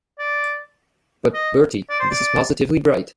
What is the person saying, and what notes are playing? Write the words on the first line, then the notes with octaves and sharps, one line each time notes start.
But, Bertie, this is positively bright.
D5
D#5
D5
C5
D5